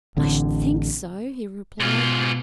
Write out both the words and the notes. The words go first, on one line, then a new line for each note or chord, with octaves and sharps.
"I should think so!" he replied.
A1 D3 C4
G#2 B2 F4